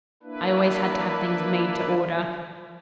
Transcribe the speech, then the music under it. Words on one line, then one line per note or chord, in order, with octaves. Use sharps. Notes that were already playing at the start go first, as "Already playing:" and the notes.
"I always had to have things made to order."
A#3 D4 E4 B4